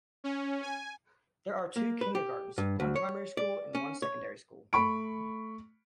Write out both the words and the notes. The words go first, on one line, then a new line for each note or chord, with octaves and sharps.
There are two kindergartens, one primary school and one secondary school.
C#4
G#5
A#3
B4
G4
G2
D2
C#5
D5
C#4
C#5
A3 B5 C#6 D7